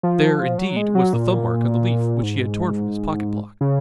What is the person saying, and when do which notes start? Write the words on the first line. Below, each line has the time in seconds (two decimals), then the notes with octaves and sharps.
There, indeed, was the thumb-mark on the leaf which he had torn from his pocket-block.
0.03 F3
0.58 F#3
0.76 G#3
0.95 F#3
1.13 A#2
2.23 G#2
3.61 C#3